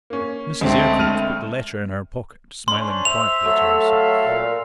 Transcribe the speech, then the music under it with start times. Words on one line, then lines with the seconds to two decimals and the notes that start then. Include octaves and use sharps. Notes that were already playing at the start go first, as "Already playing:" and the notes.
Mrs. Eyrecourt put the letter in her pocket smiling quietly to herself.
0.10 A#3 C#4
0.61 C#2 D3 A3 C4
0.99 F6 D#7 F7
2.68 C#4 D4 C5 C6
3.05 C5 E5 F7
3.45 F#3 A3 A4
3.83 E5 F5
4.27 A#2